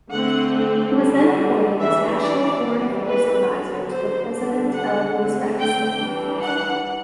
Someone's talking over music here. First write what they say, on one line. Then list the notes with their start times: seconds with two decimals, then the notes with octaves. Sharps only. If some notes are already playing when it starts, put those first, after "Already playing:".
He was then appointed as National Foreign Affairs Advisor to the President of Uzbekistan.
0.11 D3 A3 C4 F#5
0.95 D3 G3 D4
1.79 E3 G3 D4 E5
2.22 D5
2.64 E3 G3 C4
3.06 B4
3.48 D3 F#3 B3
3.90 C5
4.32 D3 G3 D4
4.74 F#5
5.16 D3 A3 C4
5.59 G5
6.00 E3 G3 D4
6.43 F#5